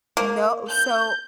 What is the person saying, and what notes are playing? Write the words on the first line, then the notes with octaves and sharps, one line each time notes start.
No, so
A#3
G6